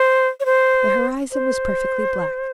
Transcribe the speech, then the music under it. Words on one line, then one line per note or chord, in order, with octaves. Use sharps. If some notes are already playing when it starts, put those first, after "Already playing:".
The horizon was perfectly black.
Already playing: C5
C#5
C5
C5